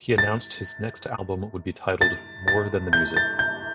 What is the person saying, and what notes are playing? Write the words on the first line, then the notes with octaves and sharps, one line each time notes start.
He announced his next album would be titled "More Than the Music".
A6
A6
A6
G6
A6
G6